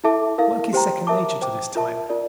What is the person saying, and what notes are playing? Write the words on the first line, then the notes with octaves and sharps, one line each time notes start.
Work is second nature to this type.
E4 A4 E5 A5 D6
E4 A#4 F5
G4 C5 G5 A#5
A#4 E5 A5 D6
C5 G5 D6
F4 A#4 E5 A5
F4 A#4 D5